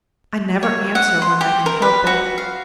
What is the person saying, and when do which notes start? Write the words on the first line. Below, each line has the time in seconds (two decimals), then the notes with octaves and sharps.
I never answer when I can help it.
0.63 C#5
0.95 F#5
1.22 C6
1.41 G4
1.66 A#4
1.82 B4
2.07 F#4
2.38 F5